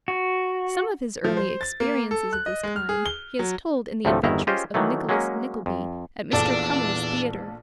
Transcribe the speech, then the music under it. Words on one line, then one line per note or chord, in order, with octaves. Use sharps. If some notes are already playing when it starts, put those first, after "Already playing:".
Some of his early experiences of this kind he has told in the adventures of Nicholas Nickleby at Mr. Crummles's theater.
F#4
F3
C5
A6
A#3
A4
F#6
D#5
G#3
F6
G#4
G7
F#3
D2 A2 C3 F3 A3
G1 E2 D#3 E4 A#5
C#4 F4 G4 G#4 C5 D#5
D#3 E3 F#3 A3
F#3 G#3 A#3 C#4
F2
A#1 E2 D4 A4 D5